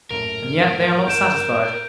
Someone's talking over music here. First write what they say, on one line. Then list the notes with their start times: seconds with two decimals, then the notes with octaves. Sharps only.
And yet they are not satisfied.
0.11 A#1 F#2 A2 A#4 D7 F7
1.07 G1 F#2 G6 D7 E7